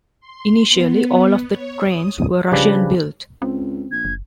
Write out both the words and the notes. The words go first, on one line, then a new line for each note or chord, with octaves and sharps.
Initially, all of the trains were Russian built.
C6
B3
C#5
D#6
C#3 F3 G3 D4 B4
C#2 C4
A#1 G#6
F#1